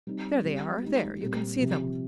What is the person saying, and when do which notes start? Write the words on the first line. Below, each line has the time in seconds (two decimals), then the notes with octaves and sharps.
"There they are, there... you can see them."
0.07 G3 C4 D#4
0.45 G3 C4 G4
0.82 G#3 D#4 G4
1.20 A#2 G3 C4 G4
1.59 C3 F3 C4 G4